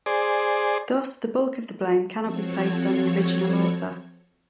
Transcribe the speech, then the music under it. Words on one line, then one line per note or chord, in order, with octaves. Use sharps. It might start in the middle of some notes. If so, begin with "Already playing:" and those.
Thus, the bulk of the blame cannot be placed on the original author.
G#4 C5 D5
F3 C4 F#4 A4 C#5 G#6